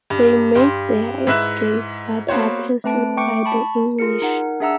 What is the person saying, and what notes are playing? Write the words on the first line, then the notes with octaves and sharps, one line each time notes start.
They make their escape but are pursued by the English.
G2
G2 C6
G#2 E4 B4 E5 F#6 E7
A#3 B3 F#4 C5 C#5
A3 C4 B4 A5 D7
A3 G5 C#6 D6 C#7 D7
A5 B5 C#6
F4 G#4 A#4 C#7
D#4 A#4 F#5
D4 G#4 E5 F#5 A#5 E6